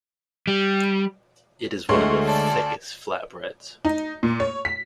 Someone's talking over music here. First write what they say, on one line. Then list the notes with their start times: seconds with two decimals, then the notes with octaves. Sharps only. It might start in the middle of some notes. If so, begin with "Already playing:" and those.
It is one of the thickest flat breads.
0.47 G3
1.89 D2 D3 G#3 A3 C#5 C6
2.24 A4 D5
3.85 D#4
4.23 A#2
4.40 C#5
4.65 B6